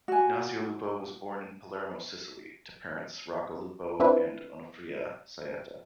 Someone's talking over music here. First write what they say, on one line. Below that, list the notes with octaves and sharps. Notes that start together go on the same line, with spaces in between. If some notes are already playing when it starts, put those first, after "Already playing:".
Ignazio Lupo was born in Palermo, Sicily, to parents Rocco Lupo and Onofria Saietta.
F#4 G#5
C4 D4 E4 F4 B4